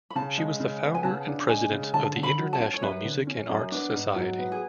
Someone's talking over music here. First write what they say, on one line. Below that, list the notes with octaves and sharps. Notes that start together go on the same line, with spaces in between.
She was the founder and President of the International Music and Arts Society.
B5
C#3 A5
G#3
C#3
B3
G#5
C#3 A5
D4
G#3 G#5
C#3
D3 A5
D3
B5
F#3
A5
C#4
C#5
F#2 B4
D3
C#4
F#2
B3 D4
G#2
F#3
B3
G#4